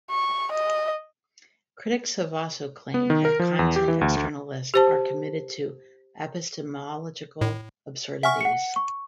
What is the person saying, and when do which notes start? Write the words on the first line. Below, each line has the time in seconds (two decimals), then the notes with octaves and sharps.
Critics have also claimed that content externalists are committed to epistemological absurdities.
0.10 C#6
0.53 D#5
2.94 B3
3.10 D#3
3.25 A#4
3.40 F3
3.59 E2
3.76 G4
3.88 E3
4.01 D2
4.17 D2
4.74 G4 C5 A5
7.41 A2
8.23 E5 F#5 G#5 C#6 F6
8.41 F#5 C#7
8.76 C#6